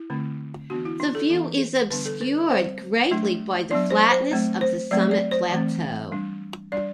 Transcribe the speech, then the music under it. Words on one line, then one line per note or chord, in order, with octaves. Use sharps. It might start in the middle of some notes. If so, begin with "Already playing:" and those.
The view is obscured greatly by the flatness of the summit plateau.
Already playing: E4
D3 A3 C4
E3 B3 D4 F#4
E4
D4
A4
E3 B3 D4
D3 G3 B3 D4 B4
A4
B4
G3 C4 C5
F#3 A3 D4
F#3 B3 D4 D5
C5
C5
F#3 A3 C4
C5
F#3 A3 C4 D5
D5
C5
E3 A3 C4
G3 D4
G3 D4 D5